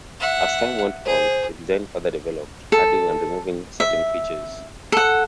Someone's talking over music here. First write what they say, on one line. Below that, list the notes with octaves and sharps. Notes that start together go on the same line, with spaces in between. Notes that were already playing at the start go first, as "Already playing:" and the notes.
As time went on, the design further developed, adding and removing certain features.
E5 F#5
G#4 C5
A4
E5
A4 F#5